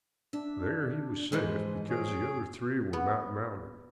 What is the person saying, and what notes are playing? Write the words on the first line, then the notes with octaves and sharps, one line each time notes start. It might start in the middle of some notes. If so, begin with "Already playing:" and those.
There he was safe, because the other three were not mounted.
D4 E5
G#2 E3 F3 G#3
G#4 C#5 D7
B3